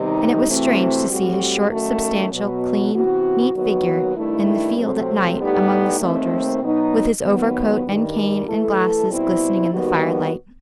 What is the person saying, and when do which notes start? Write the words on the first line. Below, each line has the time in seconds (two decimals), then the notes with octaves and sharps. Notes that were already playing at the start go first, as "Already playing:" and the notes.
And it was strange to see his short, substantial, clean, neat figure in the field at night among the soldiers, with his overcoat and cane and glasses glistening in the firelight.
Already playing: E2 C3 D#3 G3 D#4
0.46 C3 E3 A3 C4 F#4
1.08 A2 G3 C4 F#4
1.70 F#2 D#3 A3 D#4 F#4
2.31 B2 F#3 B3
2.93 C3 E3 B3 F#4
3.54 D#2 D#3 F#3 B3 F#4
4.16 G2 D#3 A3 E4
4.77 C3 F#3 A3 C4
5.40 A2 G3 B3 D#4 G4
6.01 D#2 D#3 A3 C4
6.62 B2 F#3 B3 D#4
7.24 D#2 D#3 F#3 B3
7.86 G2 D#3 G3
8.47 E3 A3 E4 A4
9.09 B2 G3 C4 E4
9.70 D#2 D#3 G3 B3 F#4